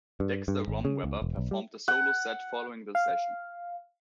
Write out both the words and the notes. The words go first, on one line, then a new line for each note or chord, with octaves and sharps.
Dexter Romweber performed a solo set following the session.
G2
G2
G#1
C#3
C#2
E1
B1
G3
F#5
F5